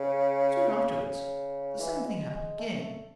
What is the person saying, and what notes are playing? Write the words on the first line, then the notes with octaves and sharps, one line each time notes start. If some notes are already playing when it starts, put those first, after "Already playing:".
Soon afterwards the same thing happened again.
Already playing: C#3
C#3
E3
G#3
G#3
A3
A3